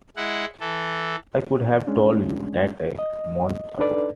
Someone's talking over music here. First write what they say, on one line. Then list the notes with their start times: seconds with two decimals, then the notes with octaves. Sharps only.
I could have told you that a month ago.
0.17 G#3 E4 F#5
0.60 E3 A4
1.87 G#3 C#4 D4
2.99 D#5
3.79 D4 D#4 A4 B4 D5